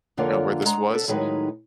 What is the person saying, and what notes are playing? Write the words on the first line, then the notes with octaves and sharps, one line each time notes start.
uh, where this was,
F2 D3 A#3 F4 C#5
G#3 A#5
A4 B4
A2 D#3 F#3 G#3 D#4 B4